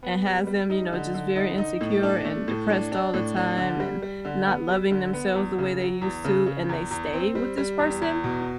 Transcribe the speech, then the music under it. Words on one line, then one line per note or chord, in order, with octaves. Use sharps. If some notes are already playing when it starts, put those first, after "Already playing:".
and has them, you know, just very insecure and depressed all the time and not loving themselves the way they used to, and they stay with this person,
B3
G3
G3
D#4
D3
D3
D#4
D#4
A2
D4
A3
A2
D4
D4
A2
D4
D3
G3
G3
D3
B3
G3
D3
B3
E2
C#3
F#3
E2
C#3
C#3
E2
E2
C4
G3
G3
E2
E2
B2